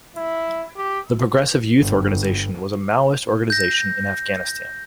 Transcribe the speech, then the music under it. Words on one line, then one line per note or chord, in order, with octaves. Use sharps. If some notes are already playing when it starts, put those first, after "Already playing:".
The Progressive Youth Organization was a Maoist organization in Afghanistan.
E4
G4
G1
G6 A#6